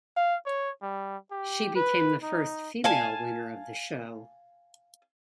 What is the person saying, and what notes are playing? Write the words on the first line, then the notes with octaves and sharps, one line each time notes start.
She became the first female winner of the show.
F5
C#5
G3
G4
B4
D#4
F5 G#5 A5